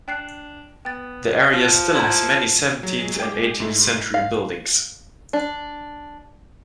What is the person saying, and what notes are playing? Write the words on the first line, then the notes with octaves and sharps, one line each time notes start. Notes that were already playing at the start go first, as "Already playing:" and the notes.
The area still has many seventeenth and eighteenth century buildings.
D4 G5 F#6 C7
B3 G5 A6
F3 F4 F5 A6
E4 D5 A#5 C6
F#3 G#3 G#4
G5 D6
G#2 A3 E4
F5
D4